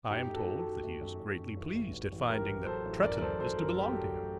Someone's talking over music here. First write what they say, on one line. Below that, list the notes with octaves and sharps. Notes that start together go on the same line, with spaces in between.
"I am told that he is greatly pleased at finding that Tretton is to belong to him."
F#2 D#4 G4
A3
F#4 A4
A3
F#4 A4
D#3
A3
F#2
F#2
F#2
A1
A1
A1
A1
A1 G4 A#4
A1
F#3 A4 C5
A1
F#2 A#4 D5
D5
F#3 A4 C5
F#2 A4 C5
F#2 A#4
A4
A3 G4
A3 F#4 A4
A3